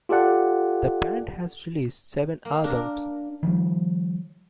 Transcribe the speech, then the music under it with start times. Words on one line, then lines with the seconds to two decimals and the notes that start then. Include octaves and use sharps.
The band has released seven albums.
0.09 F4 G4 A4 D5 F#5
2.45 A#3
2.64 D4 A#4
3.43 D#3 F3 G3